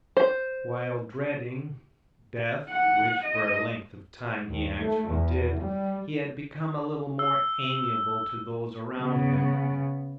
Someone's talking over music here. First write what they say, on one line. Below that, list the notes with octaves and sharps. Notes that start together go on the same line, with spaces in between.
While dreading, death--which for a length of time he actually did--he had become a little more amiable to those around him.
C5
F#5
D#5
D#2
A3
E2
G3
E6
C#3 B3